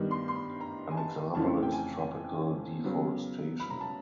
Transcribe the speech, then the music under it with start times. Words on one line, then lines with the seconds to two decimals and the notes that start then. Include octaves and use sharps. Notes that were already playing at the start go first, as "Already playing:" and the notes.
An example is tropical deforestation.
Already playing: G2 D#3 G3 B3
0.11 C6
0.28 C6
0.36 B5
0.61 A#5
0.91 G#5
0.97 A5
1.35 F2 C#3 E3 A3 C4 A5
1.63 G5
1.72 G#5
2.84 C#3 F#3 B3
3.60 B5
3.70 A#5
3.81 A5